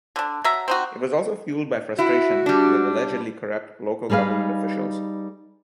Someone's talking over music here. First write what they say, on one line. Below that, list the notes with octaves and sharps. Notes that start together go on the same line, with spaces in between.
It was also fueled by frustration with allegedly corrupt local government officials.
D3 D4
F#3 E5 A#5
C4 D#4 F#4
E4 F#4
G3 D4
G3 D#4 G#4 B4 F5